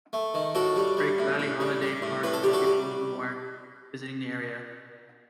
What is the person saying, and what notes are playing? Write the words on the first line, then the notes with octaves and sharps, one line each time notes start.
Crake Valley Holiday Park for people who are visiting the area.
A3
D#3
A2 F#4 A4
G3
G3
A2
A2
G3
G3
A2
A2 B4
A4
G3 G4
F#4 A4
G3